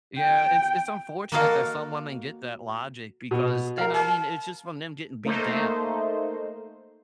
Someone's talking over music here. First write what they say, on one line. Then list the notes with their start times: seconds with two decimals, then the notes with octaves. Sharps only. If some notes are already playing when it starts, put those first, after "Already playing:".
yeah, it's it's unfortunate that some women get that logic because and, I mean, it's just from them getting beat down.
0.19 G5
1.32 A#3 F#4 A4 A#4 D#5 F5
3.31 B2
3.78 A#4 F5
3.94 A5
5.25 A3 A#3 D#4 C5